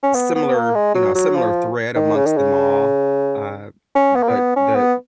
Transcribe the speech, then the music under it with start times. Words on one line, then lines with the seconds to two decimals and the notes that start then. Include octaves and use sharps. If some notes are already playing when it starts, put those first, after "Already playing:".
similar you know, similar thread amongst them all, uh, but the
0.03 C#4
0.15 B3
0.35 B3
0.55 A#3
0.75 G#3
0.95 F#3
1.15 F#3
1.36 F3
1.95 D#3
2.15 C#3
2.26 D#3
2.37 C#3
3.95 C#4
4.16 B3
4.23 A#3
4.30 B3
4.56 C#4
4.75 B3